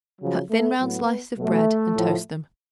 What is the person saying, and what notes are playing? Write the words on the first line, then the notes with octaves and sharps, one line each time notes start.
Cut thin round slices of bread and toast them.
C#3 F3 F#3
A3
A2 F#3 B3
B2 F#3 A3
A2 F3